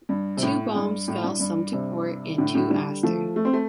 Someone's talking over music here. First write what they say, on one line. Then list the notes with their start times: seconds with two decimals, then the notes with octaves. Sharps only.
Two bombs fell some to port and two astern.
0.09 G2
0.37 C3
0.42 A2
0.67 A2
0.75 G2
1.08 A2
1.24 G2
1.40 G2
1.73 G2 C3
2.38 A2 D3
2.55 A2 D3
2.70 D3 G3
3.03 F3 A3
3.36 A3
3.45 C4
3.53 A3